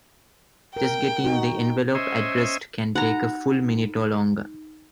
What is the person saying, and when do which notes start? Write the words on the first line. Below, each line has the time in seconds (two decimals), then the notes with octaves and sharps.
Just getting the envelope addressed can take a full minute or longer.
0.76 A#4 G5
1.24 D#4 F#4
1.95 C#4 C5 D#5 E5 G#5
2.95 D#4 F#5 A#5